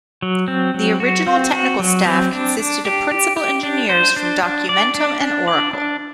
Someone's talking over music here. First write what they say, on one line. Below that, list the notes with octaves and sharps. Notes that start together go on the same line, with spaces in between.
The original technical staff consisted of principal engineers from Documentum and Oracle.
F#3
C4
F#3
F#4
C4
F#4
F#3
C4
D4
D4
G4
G4
G4
D4
C5
D4
D4
D5
D4
D4
D5
D4